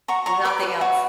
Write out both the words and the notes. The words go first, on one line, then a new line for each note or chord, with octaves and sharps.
Nothing else.
F#4 A#5 C#6
C#5 A#5 C#6
B4 B5 D6
B4
F#4